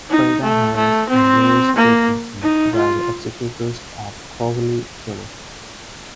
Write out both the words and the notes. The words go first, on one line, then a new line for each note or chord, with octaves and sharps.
Frieda Harris and Louis Wilkinson were the executors of Crowley's Will.
D#4
A3
A3
C4
A#3
D#4
F4